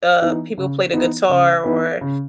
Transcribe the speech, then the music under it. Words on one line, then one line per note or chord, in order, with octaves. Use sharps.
uh, people play the guitar or
E3 B3 D#4
C#3
E3 B3 D#4
C#3
E3 B3 D#4
C#3